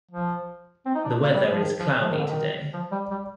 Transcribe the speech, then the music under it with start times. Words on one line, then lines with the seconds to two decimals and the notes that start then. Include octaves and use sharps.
The weather is cloudy today.
0.11 F3
0.86 C4
0.95 D#4
1.05 D4
1.23 A#3
1.34 G3
1.43 G#3
1.52 F3
1.61 D#3
1.80 F3
1.99 F3
2.09 D#3
2.21 D3
2.32 D#3
2.74 F3
2.92 G3
3.11 G3